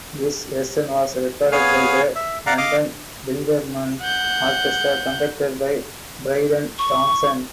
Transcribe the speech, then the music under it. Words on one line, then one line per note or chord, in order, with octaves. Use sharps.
This version was recorded by the London Philharmonic Orchestra conducted by Bryden Thomson.
B3 G#4 C#5 F5 G#5
E5
D5 F5 F#5 A#5
D#5 F5 D6
F#5 G6
C#6